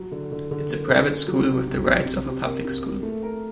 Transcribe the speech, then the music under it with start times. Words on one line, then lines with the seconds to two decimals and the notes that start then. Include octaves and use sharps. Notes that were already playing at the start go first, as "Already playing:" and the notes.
It’s a private school with the rights of a public school.
Already playing: F#3
0.12 D3
0.32 D3
0.51 D3
0.70 A#3
0.89 D3
1.09 C#4
1.28 F#3
1.48 C3
1.67 C3
1.87 C3
2.06 C3
2.26 C3
2.44 A#3
2.65 C3
2.84 A#3
3.03 A3
3.23 A#4